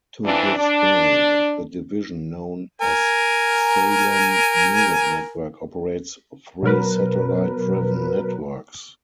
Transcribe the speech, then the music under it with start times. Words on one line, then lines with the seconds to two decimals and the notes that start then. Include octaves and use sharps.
To this day, the division known as "Salem Music Network" operates three satellite-driven networks.
0.25 F2 E3 D4
0.56 D4
2.81 A#4 G#5
6.63 B2 F#3 A#4 B4